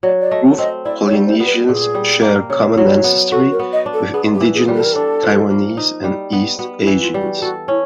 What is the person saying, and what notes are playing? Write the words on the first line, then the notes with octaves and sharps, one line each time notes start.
They prove Polynesians share common ancestry with indigenous Taiwanese and East Asians.
F#3 D5
D5
A3 D#5
C4 D#5
E4 D5
C#5
G3
C5
B3
B4
A#2 G#4
G3
A#3
C#3
F#3
B3
F#4 A4
A#4
B3
D#5
D4
A4
B3 G#4
G4
E3
G#4
G3
A4
A#4
D4 A4
F3
A#3
D#4
G3
B3
B3 F#4
E4
E3
F4
G3
F#4
G4
F#4 A4
C#4 E4